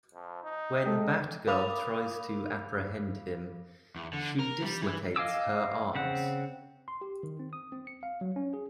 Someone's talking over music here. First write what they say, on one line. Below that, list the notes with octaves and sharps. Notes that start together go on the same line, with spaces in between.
When Batgirl tries to apprehend him, she dislocates her arms.
F2
D#4
G#3 A4 D#5 G5
A#4 F5 B5 D6 D#6 F7
E2
D3
A#4
G3
E3
D#5 F5 G#5 D6 E6
C#3 C4 F#5
C6
G4
D#3
C4
D#6
C4
C#7
F5
F#3
C#4
G#4